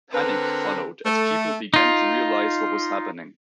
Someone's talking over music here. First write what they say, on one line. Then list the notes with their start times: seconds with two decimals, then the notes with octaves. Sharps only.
Panic followed as people began to realize what was happening.
0.14 D3 C4 A#4 B4
1.06 A3 A4
1.74 D#4 F4